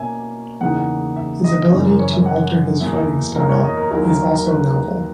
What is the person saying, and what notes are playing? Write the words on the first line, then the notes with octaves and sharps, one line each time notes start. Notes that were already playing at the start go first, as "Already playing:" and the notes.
His ability to alter his fighting style is also novel.
Already playing: B2 A#3 C#4 E4 E5 G#5
E2 C#3 E3 A#3 D#4 F#5
F#5
E5
D#5
F#2 C#3 E3 C#5
A#4
C#5
E5
F#5
E2 B2 A#3 E4 E5
A#4
C#5
D#5
A#4
D#2 D#3 F#3 A#3 E4 A#4
A#4
A#4
B4